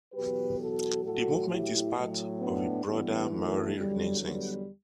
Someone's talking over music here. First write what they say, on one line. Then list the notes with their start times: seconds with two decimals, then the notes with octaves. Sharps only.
The movement is part of a broader Māori Renaissance.
0.13 E2 B2 F#3 G4 B4
0.58 F#4 A4
1.04 A2 F#3 F#4 A4
1.49 E4 G4
1.95 A2 F#3
2.40 B3 D4
2.85 G2 E3 G3 B3
3.31 F#3 A3
3.76 E2 D3 F#3 G3
4.21 G3 B3